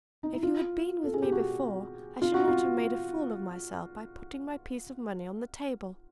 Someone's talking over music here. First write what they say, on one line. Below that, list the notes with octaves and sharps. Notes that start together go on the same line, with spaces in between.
If you had been with me before, I should not have made a fool of myself by putting my piece of money on the table.
D#4
E4
F4
A4
G#4
G4
F#4
F4
F#4
F4